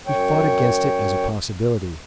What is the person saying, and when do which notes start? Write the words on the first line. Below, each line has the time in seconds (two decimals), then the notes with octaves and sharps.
He fought against it as a possibility.
0.07 F#2 C#5 G5